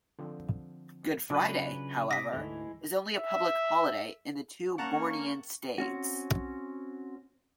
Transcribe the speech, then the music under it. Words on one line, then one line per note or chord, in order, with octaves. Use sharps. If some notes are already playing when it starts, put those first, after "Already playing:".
Good Friday, however, is only a public holiday in the two Bornean states.
D3 F3 C4
C#3 F#3 D4 F4 B4
C3 D6 D#6 A#6 B6
D2 G#2 E3 G#3 A3 E4
E5
A#3 C#4 F#5 A5 A#5 C#6
C4 C#4 F#4